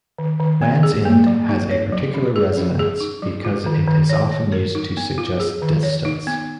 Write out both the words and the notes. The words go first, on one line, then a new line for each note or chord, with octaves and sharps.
Land's End has a particular resonance because it is often used to suggest distance.
D#3
D#3
B3
G#4
A#3
F#3
D#4
C#5
F#3
C#4
G#4
C#4
G#4
D#4
F#3
F4
D#3
D#3
C#5
C#5
A#4
D#4
B3
F4
G#4
D#3
C#5
D#4
B3